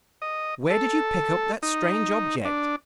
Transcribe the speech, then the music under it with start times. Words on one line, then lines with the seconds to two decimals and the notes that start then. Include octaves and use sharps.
'Where did you pick up that strange object?
0.22 D#5
0.70 A4
1.63 D#4
2.45 D4